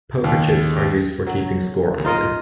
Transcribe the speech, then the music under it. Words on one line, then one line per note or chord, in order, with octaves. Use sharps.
Poker chips are used for keeping score only.
D#2
F#3
D#4 F4 A#4 D#5